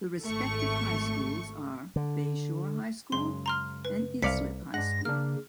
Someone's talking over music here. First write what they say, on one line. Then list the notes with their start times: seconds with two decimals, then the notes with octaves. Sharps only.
The respective high schools are Bay Shore High School and Islip High School.
0.24 G#1 A3 C#6
1.96 D3
3.12 F#2 C#3 G#3 C6
3.46 A#5 C6 F6
3.85 B4
4.22 C2 D5 F5 B6 C#7
4.74 G2 G#3 D4 F#5 A#6
5.05 C#3 A#3 D4 F6